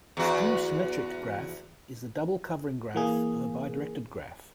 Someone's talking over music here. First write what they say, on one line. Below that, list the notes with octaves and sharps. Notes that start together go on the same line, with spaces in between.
A skew-symmetric graph is the double covering graph of a bidirected graph.
E2 F#4
E3 A#3 G#4